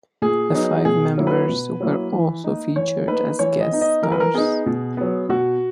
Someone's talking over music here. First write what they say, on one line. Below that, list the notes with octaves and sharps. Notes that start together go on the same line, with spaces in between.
The five members were also featured as guest stars.
A#2 G#4
F#3 B3 D#4
B2 G#4
F#3 A#3 E4
B4
B2
F#3 A#3 E4
E3
A#3 D#4
E3 C#5
A#3 D#4 B4
E3 C#5
D#5
B3 D#4
D#5
E3 A#4
B4
A#4
B3 D#4 G#4
B2
F#3 B3
B2 F#4